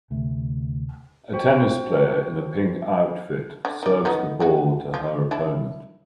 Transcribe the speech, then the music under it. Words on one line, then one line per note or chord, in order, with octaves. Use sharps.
A tennis player in a pink outfit serves the ball to her opponent.
D1 D2 C3 A3
F#4 C5 G5
D3
D#3 D5
A3 B3 D#4
E4 F#4
F3
D4 E4 A5